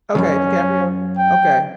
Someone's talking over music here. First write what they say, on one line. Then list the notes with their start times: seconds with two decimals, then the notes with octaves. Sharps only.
Okay, DiCaprio. Okay.
0.15 C#2 F#2 C#4
1.18 G5